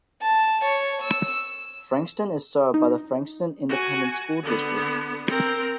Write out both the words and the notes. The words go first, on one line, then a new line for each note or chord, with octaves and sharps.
Frankston is served by the Frankston Independent School District.
A5
C#5
E6
D#4
F#4 G#5
D3 B3
C4 A#4